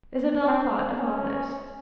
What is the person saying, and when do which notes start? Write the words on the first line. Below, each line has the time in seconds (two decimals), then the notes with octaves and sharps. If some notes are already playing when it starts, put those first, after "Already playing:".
Isabel thought of all this.
0.45 C4
0.98 C#4